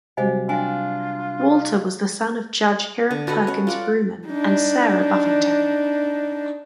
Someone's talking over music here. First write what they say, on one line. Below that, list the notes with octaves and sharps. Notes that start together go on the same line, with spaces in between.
Walter was the son of Judge Hiram Perkins Vrooman and Sarah Buffington.
C3 F#3 G3 G4 C5 D#5 F5 G#5
D4 F4 F5 G5 G#5
D3
F#4 A4 B4 D#5
C#4 F#5
F4 D5 F#5
D4 D#4